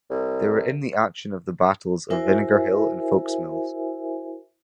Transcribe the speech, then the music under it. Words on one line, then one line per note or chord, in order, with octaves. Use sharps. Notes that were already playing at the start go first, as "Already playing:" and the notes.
They were in the action of the battles of Vinegar Hill and Foulksmills.
C2
E4 F#4 A#4 C5 E5 G#5